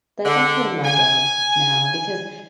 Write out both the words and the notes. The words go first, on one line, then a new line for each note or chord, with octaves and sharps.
that's actually my job now because
D3
G#5